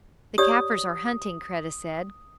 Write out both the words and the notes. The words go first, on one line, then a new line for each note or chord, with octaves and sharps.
"The Kaffirs are hunting," Kreta said.
G4 C#5 D5 D#6